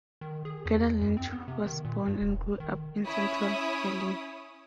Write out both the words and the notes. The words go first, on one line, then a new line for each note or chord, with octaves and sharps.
Gerda Lange was born and grew up in central Berlin.
D#3
G#4
E2
F#2
C4
B3
C3
D#3
A#2
G2
E1
D#3
C#4 E4 C#5 D#6